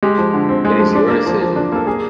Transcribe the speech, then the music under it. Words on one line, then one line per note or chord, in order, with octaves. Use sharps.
It is your decision.
G#3 G4
F3
D3
C4
G#3
F3
D4
A#3
F3
F3
D4
A#3 A4
A#3 G#4